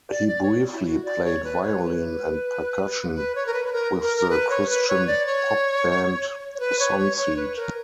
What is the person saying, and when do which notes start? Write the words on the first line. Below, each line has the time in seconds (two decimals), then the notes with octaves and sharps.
He briefly played violin and percussion with the Christian pop band Sonseed.
0.10 D5
0.28 D5
0.42 C#5
0.66 F#4
0.72 E4
0.86 F#4
1.05 D5
1.24 C#5
1.44 B4
1.62 C#5
1.82 B4
3.15 B4
3.35 C#5
3.46 A#4
3.53 B4
3.65 B4
3.73 A#4
4.01 A#4
4.16 A#4
4.30 B4
4.50 C#5
4.69 B4
4.88 C#5
5.07 D5
5.26 C#5
6.55 C#5
6.60 B4
6.79 C#5
6.99 C#5
7.17 C#5
7.37 B4
7.56 A#4